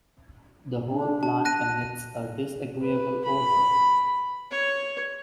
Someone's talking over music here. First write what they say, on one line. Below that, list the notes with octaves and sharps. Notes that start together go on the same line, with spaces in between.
The whole plant emits a disagreeable odour.
D4
A5
F#6 A#6 D#7
B4
B5
C#5